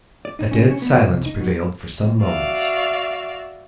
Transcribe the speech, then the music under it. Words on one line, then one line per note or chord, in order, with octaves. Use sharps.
A dead silence prevailed for some moments.
D5
D#4
C#4
C#4
B3
E2
C2
D#4
F#3
F#4 D5 E5 F5